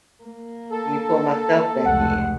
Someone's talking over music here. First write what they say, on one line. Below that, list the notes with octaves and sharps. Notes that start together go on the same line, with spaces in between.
let me pull myself back in."
A#3
A4
F1 C#2 F#5